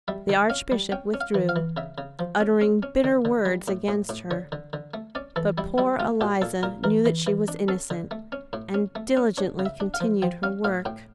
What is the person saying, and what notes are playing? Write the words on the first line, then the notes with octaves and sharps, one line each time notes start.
The archbishop withdrew, uttering bitter words against her; but poor Eliza knew that she was innocent, and diligently continued her work.
G3 E5
D3
C#4 F5
G3
C#4 G5
C#4
F5
E3
F5
E3
C#3 E5
C#3
F3
C#4
C#4
C#4
D3
D3
G3
A2
A2
A2
D3 C#5
D3
D3
A3
C#4 D5
E3 A4
G3 E4
G3 E4
A3 F4
A#2 G4
A#2 A4
A#2 A#4
E3 A#4
E3
E3
D4
C#4 A4
D3
A3
C#4
A2
C#4
A3
C#4
D4 C#5
C#3
E5
D4
F5
F3
F3 G5
C#4 F5
A2 F5
A2 G5